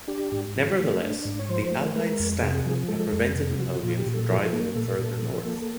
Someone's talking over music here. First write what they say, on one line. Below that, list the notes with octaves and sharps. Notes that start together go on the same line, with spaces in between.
Nevertheless, the Allied stand had prevented Napoleon from driving them further north.
D4 G4
G#2
F3
A3
D4
G#2
C#5
F3 C5
A3
G#3 A#4
F2
C3 G#4
F3
G#3 A4
F2
C3
G#4
F3 F#4
F#4
A#2 F4
G4
A#2
A4
F3 A4
A#3
A#2 A4
A#2
F3
A#3